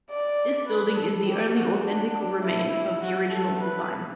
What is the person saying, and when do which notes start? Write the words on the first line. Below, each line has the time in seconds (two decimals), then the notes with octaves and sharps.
This building is the only authentical remain of the original design.
0.10 D5
0.68 B4
0.97 A4
1.27 G4
1.56 F#4
1.86 D4
2.44 E4
3.03 F#4
3.31 A4
3.61 B4